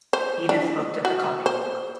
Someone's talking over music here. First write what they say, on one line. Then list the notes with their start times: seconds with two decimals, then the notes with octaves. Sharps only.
Edith looked at the copybook.
0.13 C5
0.49 D4
1.05 F#4
1.46 C5